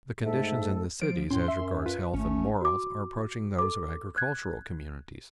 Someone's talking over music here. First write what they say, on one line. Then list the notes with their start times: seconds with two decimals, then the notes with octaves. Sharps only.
The conditions in the cities as regards health and morals are approaching those of agricultural communities.
0.23 G#2 A3 A4 E5
1.02 F3 D7
1.31 A2 C#4 C6
1.48 F#2 E5
1.86 F4 B4
2.14 G#1 A3 C#4
2.61 F#4 D6
3.59 A4 D6
4.17 F#6 G#6